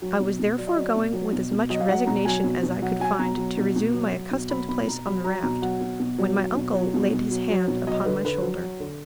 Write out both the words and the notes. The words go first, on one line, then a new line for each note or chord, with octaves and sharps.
I was therefore going with as much resignation as I could find to resume my accustomed place on the raft, when my uncle laid his hand upon my shoulder.
F#3
B2
B2
F#3 D5
D#5
F#3 D5
B2
F#3
B2
B2
F#3 D#5
F5
F#3 F#5
B2 A#5
F#3 G#5
B2
B2
F#3 F#5
F#3 G#5
B2 A#5
F#3
B2
B2
F#3
F#3
B2
F#3 B5
B2 B5
B2 A#5
F#3 B5
F#3 A#5
B2 A#5
F#3 F#5
B2
B2
F#3
F#3
B2
F#3
B2
B2
F#3
F#3
B2
F#3 D#5
D3 B4
D3 B4
F#3
F#3
D3